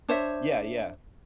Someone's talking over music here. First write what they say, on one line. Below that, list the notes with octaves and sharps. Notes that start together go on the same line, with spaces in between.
Yeah, yeah.
D4 C5 C#5 E5